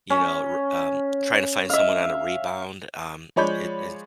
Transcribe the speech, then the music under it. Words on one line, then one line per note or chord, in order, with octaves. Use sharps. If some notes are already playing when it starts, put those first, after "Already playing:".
you know, r um, tryna find someone on a rebound, um, it is
C#4
E5 F5
F3 G#3 C#5 D5 B5 G6